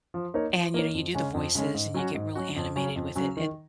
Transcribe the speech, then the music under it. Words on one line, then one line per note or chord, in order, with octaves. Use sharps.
And, you know, you do the voices, and you get real animated with it, and
F3
A#3 D#4 A#4 C#5
F3
A#3 D#4 A#4 C#5
F2
C#3 G#3 C#4
F2
C#3 G#3 C#4
G#2
F#3 C#4 F#4
G#2
F#3 C#4 F#4
F2
C#3 F#3 C#4
F2
C#3 F#3 C#4
D#3